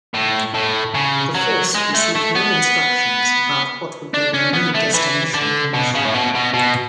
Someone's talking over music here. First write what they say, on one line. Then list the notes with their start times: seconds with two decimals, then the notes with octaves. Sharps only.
The 'Force' received no instructions about what would be their new destination and mission.
0.14 A2
0.54 A2
0.95 C#3
1.35 F#3
1.75 G#3
1.94 A3
2.15 A3
2.35 B3
4.14 D4
4.34 C#4
4.54 B3
4.75 A3
4.94 E3
5.34 D3
5.74 B2
5.95 C#3
6.05 A2
6.14 B2
6.35 B2
6.54 B2